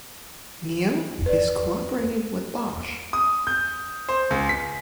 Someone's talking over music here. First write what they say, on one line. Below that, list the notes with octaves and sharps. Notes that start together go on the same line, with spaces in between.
Nio is cooperating with Bosch.
B4 D5
D#6
G6
C5
C#2
B6